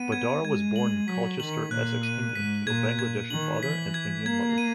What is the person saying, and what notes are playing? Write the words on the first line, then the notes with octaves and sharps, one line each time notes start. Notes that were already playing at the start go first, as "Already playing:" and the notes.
Badar was born in Colchester, Essex, England to a Bangladeshi father and Indian mother.
Already playing: B3 D#7
G#6
G#3 G#6
F#7
F#3 B6
D#3 F#7
A#2 F#6
D#7
G#2 B6
A#2 G#6
G#6
D#3 F#7
E3 B6
G#6
A#3 G#6
D#7